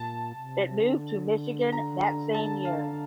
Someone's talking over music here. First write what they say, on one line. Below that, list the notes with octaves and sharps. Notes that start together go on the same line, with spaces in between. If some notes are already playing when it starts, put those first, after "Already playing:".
It moved to Michigan that same year.
Already playing: A#2 A5
C3
D3
A#5
A#5
A5
F5